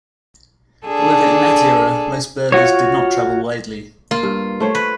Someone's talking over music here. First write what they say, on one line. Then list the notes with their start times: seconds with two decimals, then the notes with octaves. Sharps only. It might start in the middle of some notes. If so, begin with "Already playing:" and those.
However, in that era, most birders did not travel widely.
0.87 D4 G#4 A4
2.52 F4 F#4 C#5
4.11 A#3 F4
4.23 G2
4.60 A3 C5 C#5
4.75 B4